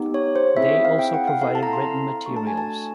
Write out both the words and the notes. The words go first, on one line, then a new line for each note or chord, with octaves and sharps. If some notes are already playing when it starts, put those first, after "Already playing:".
They also provided written materials.
Already playing: B3 D#4 G4
C#5
C5
C4 E4 G#4 E5
F5
G5
F#5
F5
C4 E4 A4 F5
A5
A#5
C6
A3 D4 F#4 A4 C#6
A5
G#5
A5